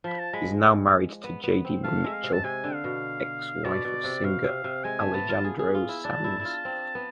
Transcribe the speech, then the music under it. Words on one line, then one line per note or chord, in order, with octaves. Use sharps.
He is now married to Jaydy Michel, ex-wife of singer Alejandro Sanz.
F3 B5
A5
G#3 B5
B3
B3
C4
A3 F5
G#3 E5
F5
C3
A5
C3 G#5
D3
F5
B2
B2 D5
B2
C3
B2 F5
C3
C3
G#3 G#5
A3
B3 A5
F4
G#4
G#4
F4
E4
D4 A5
E4
E4
F4
C4
B3